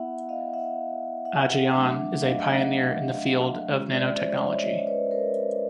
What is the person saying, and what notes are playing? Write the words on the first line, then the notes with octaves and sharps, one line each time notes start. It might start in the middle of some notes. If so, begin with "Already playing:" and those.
Ajayan is a pioneer in the field of nanotechnology.
Already playing: B3 E4 E5 F#5
D#5 F5
E5 F#5
E5 F#5
F#3 A3 D4
D#5 F5
D#5 F5
E5 F#5
G#3 C#4 F4
D5 E5
C5 D5
C#5 D#5
D5 E5
C#5 D#5
B4 C#5
A#4 C5